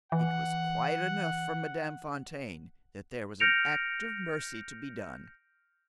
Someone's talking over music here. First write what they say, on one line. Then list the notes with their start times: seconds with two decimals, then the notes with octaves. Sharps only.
It was quite enough for Madame Fontaine that there was an act of mercy to be done.
0.12 E3 F#5
3.40 F6 G6 A#6 C#7 D7 F7